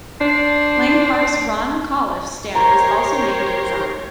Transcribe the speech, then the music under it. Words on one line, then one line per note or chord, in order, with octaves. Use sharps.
Lang Park's Ron McAuliffe stand was also named in his honour.
D4 C5
G4 A#4 C5 C#5 A#5